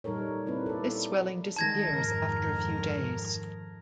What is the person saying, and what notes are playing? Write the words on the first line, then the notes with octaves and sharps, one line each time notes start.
This swelling disappears after a few days.
A#2 G3 D#4 A4 A#4 C#5
A#3 C4 E4 B4
A4 D5
D#3 G#3 A5 G#6 A#6
F2 G#2 D#3 A#4